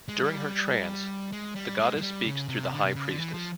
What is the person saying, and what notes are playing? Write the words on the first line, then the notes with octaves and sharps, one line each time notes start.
During her trance, the Goddess speaks through the High Priestess.
G#3
G3
G#3
G3
G#3
G#3
G3
C#3
C3
D3
C3
C#3
D3
E3
F3